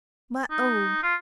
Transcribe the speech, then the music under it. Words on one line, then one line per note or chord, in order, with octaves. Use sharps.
My own!
D#4
F4